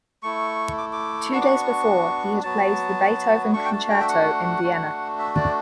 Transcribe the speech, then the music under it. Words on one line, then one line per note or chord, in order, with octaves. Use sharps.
Two days before, he had played the Beethoven Concerto in Vienna.
A3 E4 C#6
D6
D6
B3 D4 F#4 C#6
D6
C#6
F#3 B3 F#4 A5
A3 D4 F#4 C#6
G5
A5
G5
E5
F#5
A3 D4 F#4
E5
D5